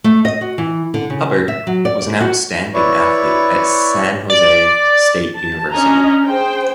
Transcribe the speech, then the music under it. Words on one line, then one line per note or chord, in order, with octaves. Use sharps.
Hubbard was an outstanding athlete at San Jose State University.
A3
D#5
F#4
E3
D3
C#3
E5
F#3
D5
D5
F#4
E4 B4 C#5 D5 C#6
D5
A5
C#4 D4 D#5 G#5 A#5
G#4 C5 G5